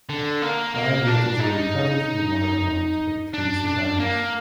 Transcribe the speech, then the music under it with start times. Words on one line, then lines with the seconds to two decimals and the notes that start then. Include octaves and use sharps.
Five vehicles were recovered from the water along with three survivors.
0.09 D3
0.42 A#3
0.74 A#3
1.07 D4
1.40 D#4
3.34 D4
3.67 D4
4.00 A#3